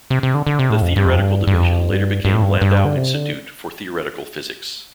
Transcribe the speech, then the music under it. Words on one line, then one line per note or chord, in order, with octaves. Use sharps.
The theoretical division later became Landau Institute for Theoretical Physics.
C3
C3
D3
D3
C3
A2
F2
G2
F2
G2
G2
F2
G2
G2
A2
G2
G2
D3
C3
D3